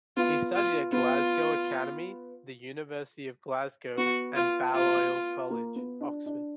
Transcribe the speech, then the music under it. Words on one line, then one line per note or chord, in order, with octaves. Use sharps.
He studied at Glasgow Academy, the University of Glasgow and Balliol College, Oxford.
B3 F4
F4
B3 F4
B3 F#4
F4
F4
A#3
B3
D4
D4